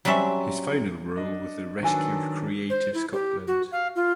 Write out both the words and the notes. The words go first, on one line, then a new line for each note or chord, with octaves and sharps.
His final role was the rescue of Creative Scotland.
F#3 G3 C4 C#4 E5
D4 D#5
D#3 F#3 D4 A4 B4 G#5
C5
E4
G4
F#4
F5
F4